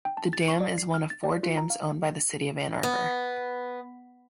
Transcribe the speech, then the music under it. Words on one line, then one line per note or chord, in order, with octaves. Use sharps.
The dam is one of four dams owned by the city of Ann Arbor.
G5
A5
A6
C#6
D5
C7
F6
A6
D5
F4
A#5
F5
B3